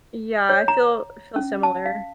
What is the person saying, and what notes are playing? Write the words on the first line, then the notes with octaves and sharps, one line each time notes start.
Yeah. I feel I feel similar.
C#5
A#5
C#4
A5
F5